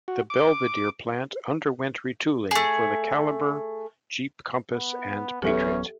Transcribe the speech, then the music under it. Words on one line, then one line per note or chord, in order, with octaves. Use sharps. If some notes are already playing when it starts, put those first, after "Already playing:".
The Belvidere plant underwent retooling for the Caliber, Jeep Compass, and Patriot.
F#4
D6
A3 G#4
B3
D1 E2 F#3 B3 C#4 G4 A4 E5